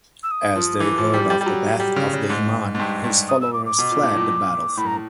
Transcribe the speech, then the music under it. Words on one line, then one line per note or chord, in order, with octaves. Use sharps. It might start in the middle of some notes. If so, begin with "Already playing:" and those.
As they heard of the death of the Imam, his followers fled the battlefield.
E6
D#6
F3
E3 D6
F3
G3
G3
G3
F#3
G3
C#3
C#3
G#2
G#2
G2
G2
D#6
E6
D6
D6
B2
A#2
A2
A#2
A2 B5
A#5